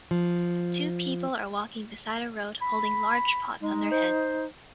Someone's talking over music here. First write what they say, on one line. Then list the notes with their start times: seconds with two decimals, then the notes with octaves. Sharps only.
Two people are walking beside a road, holding large pots on their heads.
0.11 F3
2.62 B5
3.61 G#3 D#4
3.91 C5